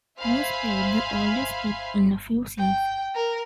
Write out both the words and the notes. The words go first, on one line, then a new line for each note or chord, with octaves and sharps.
Moose played the older Skip in a few scenes.
C5 E5 F5 G#5 B5
G5
A#4